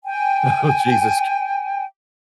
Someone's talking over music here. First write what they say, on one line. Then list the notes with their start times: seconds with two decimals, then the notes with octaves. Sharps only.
Oh, Jesus.
0.05 G5 G#5